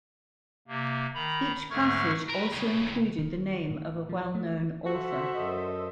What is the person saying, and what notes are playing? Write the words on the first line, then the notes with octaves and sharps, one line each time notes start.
Each passage also included the name of a well-known author.
C3 A#3
D#3 A#5 B5
G#2 D3 A3 C#6 F6 G#6
A#4 B4
A2 C#3
D#3
A2
F3
A3
F#4 A4 C5 E5
F#2 A4 D#5